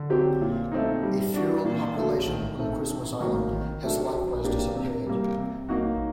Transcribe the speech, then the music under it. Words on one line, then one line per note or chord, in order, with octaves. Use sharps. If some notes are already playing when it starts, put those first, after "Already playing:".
A feral population on Christmas Island has likewise disappeared.
Already playing: D3
F#3 C4 G4
A#2
A3 C4 D#4
G3
D4 F#4
A#2
F#3 A3
D#3
A3 C4 D#4
C3
D#3 F#3 A#3 F#4
D#3
F#3 A3 D4
F#3
A#3 D4 G4
C3
G3 A#3
C3
F#3 A#3 D#4 F#4